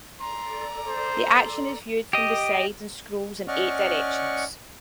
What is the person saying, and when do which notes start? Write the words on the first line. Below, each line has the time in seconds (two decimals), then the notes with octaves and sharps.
The action is viewed from the side and scrolls in eight directions.
0.21 A4 D5 A#5 C6
0.87 C5 C6
2.13 G4 D#5
3.48 C#4 D5 D#5 F#5 C#6 F6